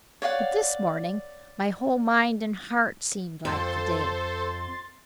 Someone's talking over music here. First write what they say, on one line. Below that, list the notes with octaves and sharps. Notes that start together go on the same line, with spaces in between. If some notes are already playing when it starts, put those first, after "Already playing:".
But this morning my whole mind and heart seemed like the day.
C#5 D5 F5 F#5
F2 A4 C5 C6 A6